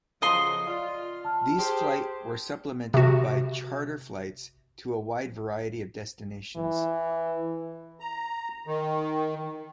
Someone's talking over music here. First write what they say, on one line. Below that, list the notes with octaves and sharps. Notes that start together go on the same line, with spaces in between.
These flight were supplemented by charter flights to a wide variety of destinations.
C#3 F3 F#3 D#5 F5 C6
F4 D5
A5 F6
G4 G#4 C5
C3 F#4
E3
A#5
D#3